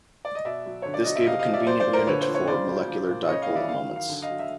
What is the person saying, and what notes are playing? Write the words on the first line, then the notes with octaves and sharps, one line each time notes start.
This gave a convenient unit for molecular dipole moments.
D5
D#5
B2 D5 E5
F#3
D3 C#5
D5
F#3 D#5
E5
C3 D#5 F5
D#5 F5
F3
D5 E5
F#3 C5 D5
C5 D5
A#2
A#4 C5
D3 B4 C#5
C5
F3
C#5
C#3 C5 D5
F#3
F3
A#2
C#3 C#5 D#5
D#5 F5
E3
D5 E5
D#3 F5
F#3
F5
D3
D#5 F5
F#3
E5